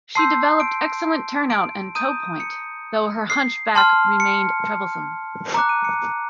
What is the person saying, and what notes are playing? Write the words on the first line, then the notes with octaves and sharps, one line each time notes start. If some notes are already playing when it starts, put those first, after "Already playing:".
She developed excellent turnout and toe point, though her hunched back remained troublesome.
A5 C6 E6 G6 C7
D7
D7
A#5 D#6 G6 D#7
C#7
C7
A5 C6 F6
C#7
A#5 D6 F#6 C#7
D#7
C#7